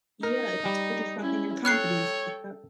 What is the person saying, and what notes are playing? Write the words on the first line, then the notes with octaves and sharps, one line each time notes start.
Yeah, if I told you something in confidence, yep.
D#4 A#4
G3
C#4 E4
A4 C#5 G5 F6 F#6 C7